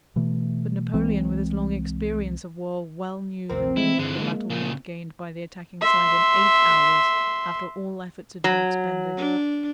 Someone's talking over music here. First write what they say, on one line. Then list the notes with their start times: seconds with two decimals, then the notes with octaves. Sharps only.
But Napoleon with his long experience of war well knew the meaning of a battle not gained by the attacking side in eight hours, after all efforts had been expended.
0.16 B2 E3 A3
0.94 C2 E3 G#3 C4
3.49 G#1 D2 C3 C4 A#4
3.77 E3 G#3 A3 E4
3.99 G2 D3 E3 G#3
4.19 G#3 A#3 E5
4.50 A#2 C#3 A#3
5.81 E5 C6
8.44 F#3
9.17 D4